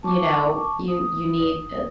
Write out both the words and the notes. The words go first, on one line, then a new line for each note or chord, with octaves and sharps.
You know? You you need to
A5 C#6 D6
D#6